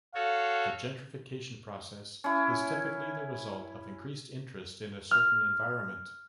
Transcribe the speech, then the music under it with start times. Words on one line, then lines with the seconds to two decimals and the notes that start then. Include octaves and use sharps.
The gentrification process is typically the result of increased interest in a certain environment.
0.15 F#4 A4 C#5 F5
2.24 C#4 E4
5.11 F6